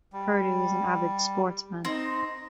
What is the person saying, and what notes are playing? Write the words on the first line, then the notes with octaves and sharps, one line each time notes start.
Perdue is an avid sportsman.
G3
C4 D#4 C6 A#6